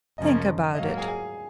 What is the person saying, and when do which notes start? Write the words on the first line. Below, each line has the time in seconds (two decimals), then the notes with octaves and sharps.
Think about it.
0.18 F#2 C#3 F3 A#3 C#4 D#5
0.75 D#5
0.78 G#2 F#3 A#3 F5
0.88 F5
0.98 G#4 G#5
1.08 G#4 G#5